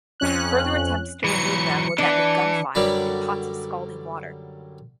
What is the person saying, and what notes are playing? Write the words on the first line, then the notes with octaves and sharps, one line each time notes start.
Further attempts to remove them were met with gunfire and pots of scalding water.
F2 C#4 F#6
E3 F#3 C#7
E3 D4
F#2 D3 F#3 G3 B4 D5